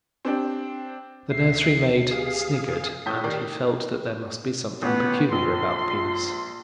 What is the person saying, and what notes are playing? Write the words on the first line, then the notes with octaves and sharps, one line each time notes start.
The nursery-maid sniggered, and he felt that there must be something peculiar about the penis.
C4 D4 G4
D2 E5 C7
G4 G#4 F5
A2 D#6 G6 B6
D#3 G4 A#4 D5 C7
A1 B3
A#1 C6